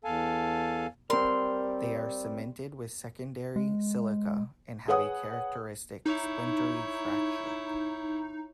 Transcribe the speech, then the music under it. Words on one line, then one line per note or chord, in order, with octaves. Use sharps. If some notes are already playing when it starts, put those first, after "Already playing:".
They are cemented with secondary silica and have a characteristic splintery fracture.
E2 A4 F5 G#5 A5
G3 C4 A#4 C6
G#3
G#4 B4 C#5 F#5 D#6
D#4 E4 C#5